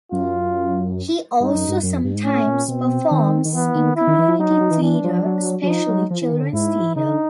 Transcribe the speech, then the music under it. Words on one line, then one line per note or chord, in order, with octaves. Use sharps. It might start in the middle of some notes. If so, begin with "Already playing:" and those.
He also sometimes performs in community theater, especially children's theater.
F#2 F4
G2 D#4
F#2
G2
F#2
F2
G2
G#2
A2 C#4
A#2
B2 C4
D#3
D#3
E3 B3
D#3
E4
D#3
E3
F3
F#3 D#4
F#3
F#3
E3
E3 D4
F3
F#3
F#3
F3 D#4
F#3
F3
E3
D#3
D3
G#2 E4
C#3 D#4
D3